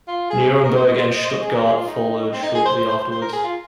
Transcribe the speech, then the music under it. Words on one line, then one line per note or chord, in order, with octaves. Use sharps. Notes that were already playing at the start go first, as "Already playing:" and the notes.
Nuremberg and Stuttgart followed shortly afterwards.
F4
G#4
G#4
A#4
C5
D#5
C5
D#5
C5
D#5
G#4
A#4
G#4
F4
D#4
C4
D#4
G#4
C5
C5
C5
C5
C5
A#4
G#4
F4